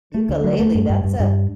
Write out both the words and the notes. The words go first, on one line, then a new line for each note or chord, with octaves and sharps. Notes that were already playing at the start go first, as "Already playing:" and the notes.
Ukulele, that's a
A3
D2
F#3
A3
G2
G2
G2
G2